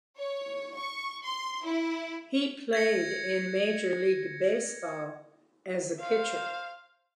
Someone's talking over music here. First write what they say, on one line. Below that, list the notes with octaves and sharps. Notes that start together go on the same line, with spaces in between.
He played in Major League Baseball as a pitcher.
C#5
C#6
C6
E4
G#6 A#6 C#7
C5 F5